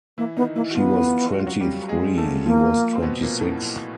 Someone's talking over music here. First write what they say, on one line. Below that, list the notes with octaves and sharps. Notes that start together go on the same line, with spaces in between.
She was twenty-three; he was twenty-six.
E3 A#3 E4
D#3 B3 D#4
E3 A#3 E4
F#4
F3 B3 F4
F#4
F4
F#3 F#4
G3 G4
G#3 G#4
A3 A4
F3 A#3 F4
C4
B2 B3
A#2 A#3
A2 A3